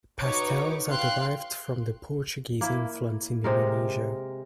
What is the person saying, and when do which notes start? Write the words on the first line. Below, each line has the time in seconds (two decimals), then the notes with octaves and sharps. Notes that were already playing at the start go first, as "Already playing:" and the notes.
Pastels are derived from the Portuguese influence in Indonesia.
0.20 D#4 F#4 B4 C#5 C#6 D6
0.89 F5 G5 C6 F#6
2.61 A#3 E4
3.44 C3 G#3 A#4